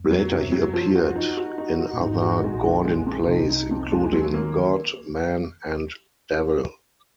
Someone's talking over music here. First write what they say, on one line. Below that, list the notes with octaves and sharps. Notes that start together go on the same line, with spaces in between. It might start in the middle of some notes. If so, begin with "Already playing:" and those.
Later he appeared in other Gordin plays, including "God, Man, and Devil".
Already playing: F2
F#3
F#2 C3
F#3
F3
F#4
D#4
F#4
D#4
F#4
A#2
G#1 G#2 D#4
F#4
A#1 A#2 G#3
D#3
G#3
F2
C2 C3 D#4
D#4
F2
G#3
F3
D#2 D#3 F#3
A#3